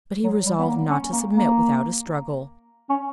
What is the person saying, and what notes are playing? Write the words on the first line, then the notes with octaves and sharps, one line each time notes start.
But he resolved not to submit without a struggle.
F#3
G3
B3
A#3
C#4
A#3
A#3
C#4